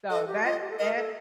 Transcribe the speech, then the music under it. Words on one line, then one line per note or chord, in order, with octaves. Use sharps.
So that that,
A4 D#5
G4
F4 D#5
G4
A4
A#4 D#5
A4